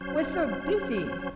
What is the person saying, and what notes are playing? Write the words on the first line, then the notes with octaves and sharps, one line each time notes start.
"We're so busy."
F#3 C#4 C5